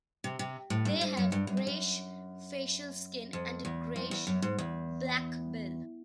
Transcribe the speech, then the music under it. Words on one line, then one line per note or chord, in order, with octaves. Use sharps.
They have greyish facial skin, and a greyish-black bill.
C3
C3
A2
G2
G#2
F#2
G2
F#2
F2
F#2
F2
E2
F2
E2
F#2
G#2
E2